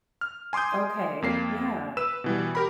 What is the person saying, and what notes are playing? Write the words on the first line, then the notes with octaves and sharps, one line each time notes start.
Okay, yeah.
F6
G#5 C6 D6 D#6 G6
F2 A#3 C7
B4 E6 E7
B2 E3 G3
G4 A#4 B5